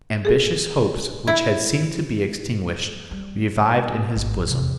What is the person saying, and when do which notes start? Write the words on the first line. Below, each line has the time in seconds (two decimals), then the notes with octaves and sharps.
Ambitious hopes, which had seemed to be extinguished, revived in his bosom.
0.25 G#4 A4
1.27 E4
3.11 G3
4.16 G#1
4.47 E2 C3